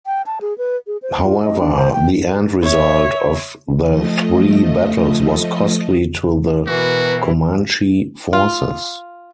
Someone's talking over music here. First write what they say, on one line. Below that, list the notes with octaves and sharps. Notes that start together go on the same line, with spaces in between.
However, the end result of the three battles was costly to the Comanche forces.
G5
A5
G#4
B4
G#4
C5
F4
D#5
D4
C5
G5
C#5 E5
F3 A3 D#5
B2 E3 F#4 A#4
F4